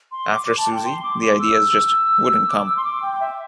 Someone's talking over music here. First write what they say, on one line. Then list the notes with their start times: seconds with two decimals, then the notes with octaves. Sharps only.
After Suzie, the ideas just wouldn't come.
0.12 C6
0.30 D6
0.44 D6
0.58 A5
0.72 G5
0.85 C6
1.03 D6
1.21 D6
1.39 E6
2.48 D6
2.66 E6
2.77 C6
2.84 D6
3.02 G5
3.20 E5